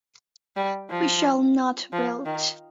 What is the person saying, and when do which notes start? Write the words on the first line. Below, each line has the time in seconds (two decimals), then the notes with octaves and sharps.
We shall not wilt.
0.56 G3
0.90 F3
1.93 F3
2.26 D#3